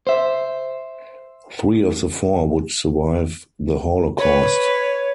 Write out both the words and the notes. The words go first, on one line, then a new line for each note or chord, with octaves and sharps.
Three of the four would survive the Holocaust.
C5 E5
B4 C#5